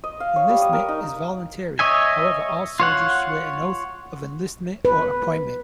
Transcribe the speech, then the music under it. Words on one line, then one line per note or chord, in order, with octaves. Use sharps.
Enlistment is voluntary, however all soldiers swear an oath of enlistment or appointment.
D#5
F5
C#5
G3
D#6
A#4
D#4
C#5 D#5 E5 G#5
F4 C#5 F#5
B4